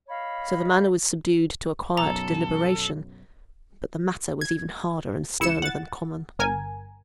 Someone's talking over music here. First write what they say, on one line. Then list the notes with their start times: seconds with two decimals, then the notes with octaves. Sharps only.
So the manner was subdued to a quiet deliberation, but the matter was even harder and sterner than common.
0.08 C#5 D#5 F5 B5
1.97 B1 F#2 A4 A#5
4.41 G#6
5.40 C#2 E4 C#7 E7
5.62 F#5 A6
6.39 G1 A#4 G#5